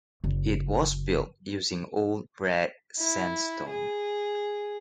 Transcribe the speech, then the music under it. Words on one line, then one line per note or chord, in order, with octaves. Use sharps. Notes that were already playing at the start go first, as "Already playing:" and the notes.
It was built using Old Red Sandstone.
F#1
E4
G#4